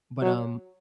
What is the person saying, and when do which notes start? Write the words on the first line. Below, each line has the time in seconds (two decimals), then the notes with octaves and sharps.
but, um
0.22 F#3